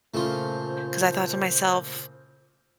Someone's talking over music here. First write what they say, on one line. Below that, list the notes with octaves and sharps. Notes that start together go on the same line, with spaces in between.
'cause I thought to myself,
A#2 C#3 A3 F4 A4 C5